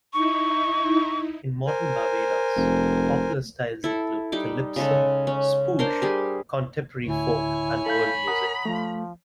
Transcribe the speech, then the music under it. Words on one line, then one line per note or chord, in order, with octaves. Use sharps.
In modern Barbados, popular styles include calypso, spouge, contemporary folk and world music.
D#4 E4 C#6
A#4 C5 G#5
F1
E4 A4
G3 D#4 D6
C#3 G#3 A4
C#4
D4 A#4 C5 C6
G3 G4 G#4
D2 A2 D3 E4 C#5 G#5
A4 F5 B5 G6
A#4 F#5 A#5 D#6
F3 A3